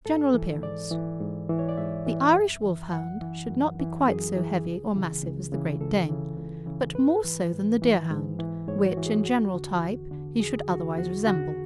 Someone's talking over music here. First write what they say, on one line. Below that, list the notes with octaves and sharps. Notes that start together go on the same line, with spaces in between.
GENERAL APPEARANCE--The Irish Wolfhound should not be quite so heavy or massive as the Great Dane, but more so than the Deerhound, which in general type he should otherwise resemble.
G#2 A4
E3
G#2 D5
E3
G#2
E3
C#5
D5
G#2 E5
E3
F#2
E3
F#2 F#5
E3
F#2
E3
F#2 G#4
E3
C#2
C#3 E3
C#2
C#3 E3
C#2 A4
C#3 E3
C#2
C#3 E3
G#2 B4
E3
G#2
E3
G#2
E3
G#2 C#5
F#4
E3
G#4
E2 F#4
D3
E2
D3
E2 G#4
D3 F#4
E2 F#4
D3 F#4